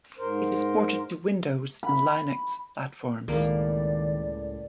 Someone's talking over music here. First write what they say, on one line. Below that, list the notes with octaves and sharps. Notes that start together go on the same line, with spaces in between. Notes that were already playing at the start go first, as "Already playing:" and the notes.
It is ported to Windows and Linux platforms.
G#2 A#4 C5
B5
C#2 A2 D#3 A#3 D5